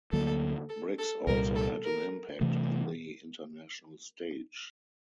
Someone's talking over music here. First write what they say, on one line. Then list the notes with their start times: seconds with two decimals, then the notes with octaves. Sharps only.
Briggs also had an impact on the international stage.
0.12 D2 D3 F#3 A#3 A4
0.69 A4
0.99 A4
1.27 C2 A#2 G3 A#4
1.55 A4
1.84 A#4
2.41 C3 E3 A3